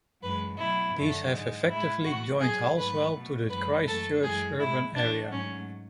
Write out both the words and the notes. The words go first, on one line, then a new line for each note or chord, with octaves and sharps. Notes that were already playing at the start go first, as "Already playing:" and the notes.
These have effectively joined Halswell to the Christchurch urban area.
F#2 E3 G#3 B4
B2 F#3 A3 E4
F#2 D3 F#3 A3
G#2 G#3
A2 G#3 E4
A2 E3 A3 F#4
G#2 F#3 A3 G#4
G#2 F#3 A3 B4
B2 A3
F#2 E3 G#3 B4
F#2 E3 A3 A4
F#2 E3 G#3 G#4
A2 G#3 E4
A2 E3 A3 D4
G#2 F#3 A3 C#4